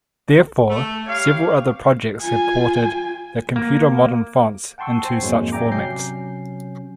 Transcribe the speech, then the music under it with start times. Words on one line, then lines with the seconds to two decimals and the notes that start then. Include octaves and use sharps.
Therefore, several other projects have ported the Computer Modern fonts into such formats.
0.70 A3
1.06 G3 G4 C#5 F5
2.21 F4 G#5
3.56 A#3
4.78 F#5 G5 A5 C6 C#6 E6
5.05 C5 G#5 C7
5.21 F2 G#2 F#3 G#3 A#3 C#4
5.52 D5 E5 G5 G#5 A#5 D6
5.72 C3 F#3 C#4 G6 C7